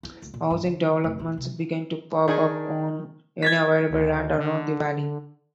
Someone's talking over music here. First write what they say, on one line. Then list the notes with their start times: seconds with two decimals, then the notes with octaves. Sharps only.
Housing developments began to pop up on any available land around the Valley.
0.03 E4
0.22 D2
0.34 A#2
0.50 G2
0.66 D3
1.04 F1
1.19 A#2
1.38 C3
2.28 D#3 D4 D#4 G#4 G#5
3.42 G#6 A6 B6
3.90 D2
4.38 D3